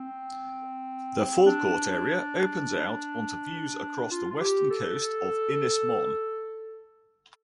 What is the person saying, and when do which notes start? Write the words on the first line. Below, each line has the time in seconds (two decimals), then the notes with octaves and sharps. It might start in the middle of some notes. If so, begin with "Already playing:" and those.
The forecourt area opens out onto views across the western coast of Ynys Mon.
Already playing: C4
1.46 D4
4.11 F4
4.31 F4
4.41 G4
4.71 A4